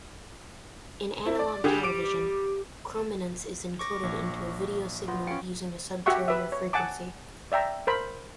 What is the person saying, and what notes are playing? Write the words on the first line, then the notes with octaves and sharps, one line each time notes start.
In analog television, chrominance is encoded into a video signal using a subcarrier frequency.
C4 E4
D5
D3 G3 G4 G#4
D6 D7
C#6 D6 A#6
A#1 C#5
B3 F4
C#4 F4 G5 C#7
F#4 G4 E5 F#5 C#6
B4 E5
C#5
F#5 G#5 A5 D6
D5 E5 G5 A#5
A#4 C5 B5